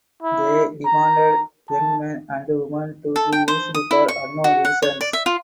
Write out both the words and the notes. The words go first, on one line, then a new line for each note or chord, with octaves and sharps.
They demanded young men and women to be used for unknown reasons.
E4
A#5
A5
A4
G5
C5
D#6
E4
C#6
F#4
F#5
C#5
D5
E5
F4